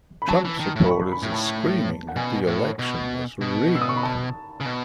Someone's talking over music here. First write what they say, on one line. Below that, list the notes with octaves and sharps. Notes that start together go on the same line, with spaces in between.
Trump supporters are screaming that the election was rigged.
B5
F#3 A5
E3
D#3
A2
B5
C#6
B5
A2
A5
F#5
B2 G#5
A2
B2
B2
E6
D#6
C#6
B5
A5
C#3
B2